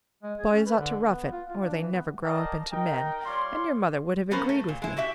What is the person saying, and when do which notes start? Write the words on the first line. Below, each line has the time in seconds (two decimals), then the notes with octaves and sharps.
Boys ought to rough it, or they never grow up into men, and your mother would have agreed with me.
0.23 G#3
0.38 G#4
0.52 C#4
0.66 B4
0.78 D3
1.04 B3
1.31 F4
1.49 F4
1.63 D4
1.78 E3
1.92 B3
2.24 A#4 D5 D#5 F5 G5 A5
2.72 D#4 A#4 G5
3.25 G3 F4 C#5 D5 C6
4.31 F3 B3 C#4 A#4 C5
4.49 A3
4.68 A#2
4.82 G#3 E4
4.97 F#4 G4 E5